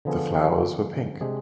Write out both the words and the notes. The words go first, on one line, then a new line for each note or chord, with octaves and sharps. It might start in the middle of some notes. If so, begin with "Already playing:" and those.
The flowers were pink.
D3 F3 B3 D4 G#4
C3 G#3 D4 G#4